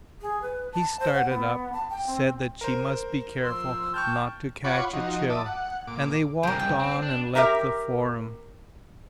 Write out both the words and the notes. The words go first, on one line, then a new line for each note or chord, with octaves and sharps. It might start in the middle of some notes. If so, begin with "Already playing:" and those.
He started up, said that she must be careful not to catch a chill; and they walked on and left the Forum.
G#4
B4
A5
C5
F#5
B3
A5
G5
C4
A#4 C5
F3 C6 E6
G5 A5 C#6 F6 G6
F4 C#5 F#5 B5 C#6 D6
F3 D#4 F#4
E5 A5 D6 D#6
F#5
A#2 D6
C2 C#3 G4 A#4
G5
C4
D4
G4 A#4 E5 A#5